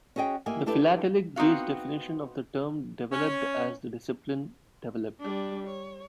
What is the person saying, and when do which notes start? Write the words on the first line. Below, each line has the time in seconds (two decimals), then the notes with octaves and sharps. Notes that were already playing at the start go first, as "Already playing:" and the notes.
The philatelic-based definition of the term developed as the discipline developed.
0.16 C#4 F#4 G#4 D#5 G5
0.46 A#3 E4 G4 D#5 G#5
0.66 D4 E4 G4 A4 B4 E5
1.36 B3 C4 D#4 F#4 F5
3.12 C#4
5.20 G3 D4
5.67 C#5